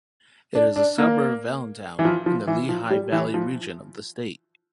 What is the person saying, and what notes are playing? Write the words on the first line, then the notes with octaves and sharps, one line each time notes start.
It is a suburb of Allentown, in the Lehigh Valley region of the state.
D4
D4
A#3
E3
F3
F3
E3
F3
G3
E3
F3